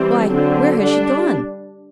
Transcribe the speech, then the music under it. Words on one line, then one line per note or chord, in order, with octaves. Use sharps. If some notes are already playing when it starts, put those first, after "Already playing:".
"Why, where has she gone?"
Already playing: E3 G3 C4
D3 F#3 C4
G3 D4